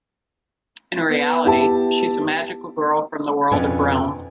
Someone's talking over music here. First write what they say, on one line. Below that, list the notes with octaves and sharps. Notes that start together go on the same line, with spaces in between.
In reality she is a magical girl from the world of Realm.
B3
E4 G4 A5
F2 B2 C#4 D4 B4 G#5